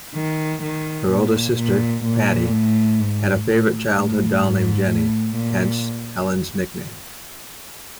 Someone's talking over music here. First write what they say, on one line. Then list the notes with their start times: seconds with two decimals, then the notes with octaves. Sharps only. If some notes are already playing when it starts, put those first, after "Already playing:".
Her older sister, Pattie, had a favourite childhood doll named Jenny, hence Helen's nickname.
0.15 D#3
0.63 D#3
1.10 A#2
1.57 A#2
2.05 A#2
2.52 A2
2.99 G#2
3.46 A2
3.94 A2
4.41 G#2
4.88 A2
5.36 A#2